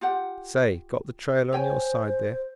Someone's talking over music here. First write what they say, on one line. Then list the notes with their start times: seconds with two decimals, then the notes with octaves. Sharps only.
Say, got the trail on your side there?
0.01 F4 G4 F#5
1.53 C5 C#5 G5 G#5